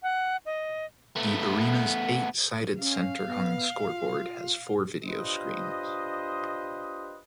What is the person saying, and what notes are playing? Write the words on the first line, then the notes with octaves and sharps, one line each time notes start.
The arena's eight-sided center-hung scoreboard has four video screens.
F#5
D#5
A3 B3
C#4 F5
B3
F4
D4 F4 G4 B4 C5 D#5